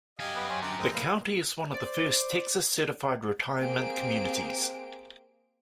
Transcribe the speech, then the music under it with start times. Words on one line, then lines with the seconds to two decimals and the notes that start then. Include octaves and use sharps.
The county is one of the first Texas Certified Retirement Communities.
0.19 F#2 G4 D#5 F5 G#5
0.35 B3 B4
0.49 C#4 C5 C#5
0.61 D3 C4 G4 A#5
0.78 G#3 A#3 C4 D#4
0.94 E4 F5
1.74 C5 D5
3.58 A#3 C4 G4 G#4 C5 D7